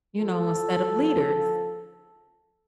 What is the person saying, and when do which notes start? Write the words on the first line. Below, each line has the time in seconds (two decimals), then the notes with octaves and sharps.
you know, instead of leaders,
0.18 F3 A4